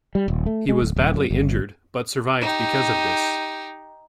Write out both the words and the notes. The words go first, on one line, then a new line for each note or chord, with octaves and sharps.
He was badly injured, but survived because of this.
G3
D#1
A3
G#3
D1
D#1
F#2
G1
D#4 G4